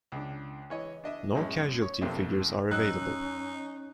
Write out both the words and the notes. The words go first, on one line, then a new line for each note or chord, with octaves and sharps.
No casualty figures are available.
C#2 D4
E3 C#5 D#5
D4 D#5 E5
F#2 A2 G#3 C#4
C#5 C#6
B1 F2 C3 A3 A#3
F#2 C#4 D#4 D#5 E6 F#6